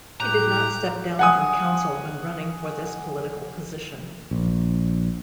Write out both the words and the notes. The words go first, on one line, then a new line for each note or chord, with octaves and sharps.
He did not step down from council when running for this political position.
A2 G4 A#5 F#6
F#5 G#5 D#6
A#1